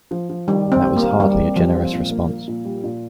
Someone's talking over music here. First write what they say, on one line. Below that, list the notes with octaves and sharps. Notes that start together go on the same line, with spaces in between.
That was hardly a generous response.
F3
F3
D#3 G3
D#2
C4
D#2
A#3
D#2
G3 C4
C4
F3 G4
C4
A#2
A#3
A#3
A#2
G3
A#2